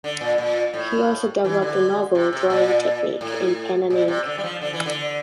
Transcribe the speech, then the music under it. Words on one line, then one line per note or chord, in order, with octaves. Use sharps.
He also developed a novel drawing technique in pen-and-ink.
D3
A#2
A#2
A2
E3
D3
C3
C3
A#2
A2
A#2
C3
D3
G3
F3
D3
E3
D3